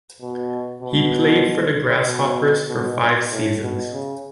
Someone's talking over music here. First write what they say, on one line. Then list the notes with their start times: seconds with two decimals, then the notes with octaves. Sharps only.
He played for the Grasshoppers for five seasons.
0.21 B2
0.82 B2
2.07 B2
2.69 B2
2.99 B2
3.31 A2
3.62 B2
3.93 C#3